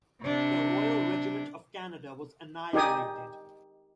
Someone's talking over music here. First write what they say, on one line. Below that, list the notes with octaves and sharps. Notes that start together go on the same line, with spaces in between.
The Royal Regiment of Canada was annihilated.
C3 D4
D#4 G4 D5 G#5 D#6